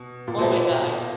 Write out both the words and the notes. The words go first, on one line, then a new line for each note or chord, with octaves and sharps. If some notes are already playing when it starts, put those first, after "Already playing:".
Oh my gosh.
Already playing: B2
A#2
B2 A4 C5 E5